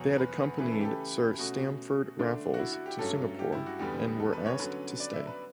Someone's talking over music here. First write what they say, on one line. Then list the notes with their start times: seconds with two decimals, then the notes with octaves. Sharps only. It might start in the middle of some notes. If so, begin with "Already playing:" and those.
They had accompanied Sir Stamford Raffles to Singapore and were asked to stay.
Already playing: E2 B2 F#3
0.18 B4
0.58 C#3 E3 A3 B4
0.71 A4
0.81 G4
0.85 A4
1.38 B2 A3 C#4 F#4
2.19 D3 A3 D4
2.54 F#4
2.59 E4
2.72 F#4
2.86 G4
2.99 G2 F#3 A3 C#4 A4
3.39 G4
3.52 E4
3.66 F#4
3.79 E2 D3 G3 B3 G4
4.20 A4
4.33 B4
4.46 C#5
4.59 D3 F#3 C#4 B4
5.00 D5
5.13 E5
5.27 B4